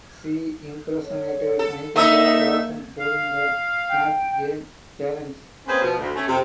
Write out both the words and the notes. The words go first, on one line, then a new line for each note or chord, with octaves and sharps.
She impersonated Nigella Lawson during the Snatch Game challenge.
C#5
A4
A3 A#3 D#4 E5 E6
F5
G5
A#3 C4 C#4 G#4 B4 C5
B2 F3
D2
A3 C#4
F2 C3